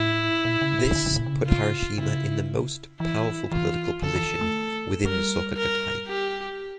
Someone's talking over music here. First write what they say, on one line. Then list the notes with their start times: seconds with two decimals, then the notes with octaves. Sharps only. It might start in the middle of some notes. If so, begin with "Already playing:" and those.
This put Harashima in the most powerful political position within Soka Gakkai.
Already playing: A2 E4
0.45 A#2
0.62 C#3
0.79 A#2
0.95 D3
1.06 C#3
1.16 A#2
1.26 C#3
1.47 F4
1.98 C#3 E4
3.00 E3 E4
3.52 E3 F4
4.02 D3 A4
4.15 E3
4.41 A3
5.05 G3 A#4
5.56 A#4
6.07 G4